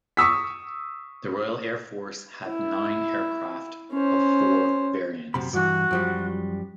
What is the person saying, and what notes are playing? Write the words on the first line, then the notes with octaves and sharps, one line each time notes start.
The Royal Air Force had nine aircraft of four variants.
C#6 D#6 E6 B6
E4
C#4 C5
F#2 C3 B5
G2 E3 F#4
F#2 F3 G3